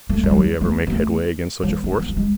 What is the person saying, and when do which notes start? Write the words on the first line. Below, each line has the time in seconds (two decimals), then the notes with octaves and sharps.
Shall we ever make headway against such a force?
0.09 A3
0.23 G#3
0.31 F#3
0.61 A3
0.87 B3
0.92 A3
1.63 F#3
1.69 E3
1.84 A3
2.00 B3
2.08 A3
2.17 G#3